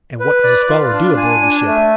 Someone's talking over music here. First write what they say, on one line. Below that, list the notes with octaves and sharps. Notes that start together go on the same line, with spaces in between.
"And what does this fellow do aboard the ship?"
B4
D5
F4
D4
G#5
D4
A3